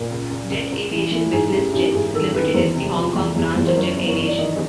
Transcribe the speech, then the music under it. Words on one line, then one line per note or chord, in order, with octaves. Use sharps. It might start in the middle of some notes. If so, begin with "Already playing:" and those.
Jet Aviation Business Jets Limited is the Hong Kong branch of Jet Aviation.
Already playing: A#2
C#2
C#2
C#2
C#2
E3
E3
G#2 G#4
A1 G4
A1 G4
G#2 G#4
D#3 A4
D#3 B4
E2 C5
C3
F3
E2
E2
E2
C5
F#2 C#5
G1
C#5
G1
D5
D#3 D#5